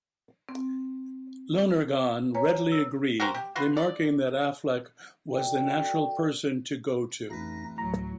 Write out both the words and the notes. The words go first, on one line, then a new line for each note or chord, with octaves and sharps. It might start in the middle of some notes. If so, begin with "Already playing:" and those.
Lonergan readily agreed, remarking that Affleck was the natural person to go to.
C4
B4 C#5 G#5 A#5
E6
F#4 G4 A#4 C5
G4
F4 F#4 B4
D5
F#4 A4 D5 G5
A1 F2 D#4 B4 A#6
D2 A2 F#3 A#5